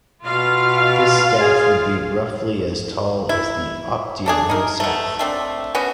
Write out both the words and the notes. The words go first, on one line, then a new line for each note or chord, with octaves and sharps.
This staff would be roughly as tall as the "optio" himself.
B2 F4 F5
G#4
E4
A3 D4 G#4
D#4 A#4
B2 A3
A3 C4 D4
B3 C#4 F#4